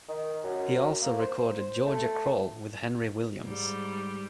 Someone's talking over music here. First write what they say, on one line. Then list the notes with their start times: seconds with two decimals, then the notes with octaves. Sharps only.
He also recorded "Georgia Crawl" with Henry Williams.
0.08 D#3
0.43 F#2
1.02 A#3
1.19 C5
1.86 A3
3.43 G#2 G3